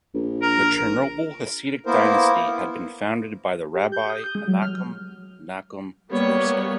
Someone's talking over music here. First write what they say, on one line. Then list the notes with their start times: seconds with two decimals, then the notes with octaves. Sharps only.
The Chernobyl Hasidic dynasty had been founded by Rabbi Menachem Nachum Twersky.
0.14 A#1
0.42 A#4
1.86 A#3 B3 E4 A#4 C5
3.74 G4
3.92 G6
4.10 D#6
4.24 G6
4.35 G#3
4.47 F#3
4.62 F6
6.12 G3 A#3 B3 C#5